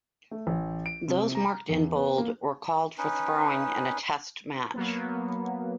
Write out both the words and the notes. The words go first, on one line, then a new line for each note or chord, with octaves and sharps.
Those marked in bold were called for throwing in a Test match.
A3
A1
D7
C3
A#5
E2
B3
A#3
C#4 D#4 B4
F#3 A#3 B3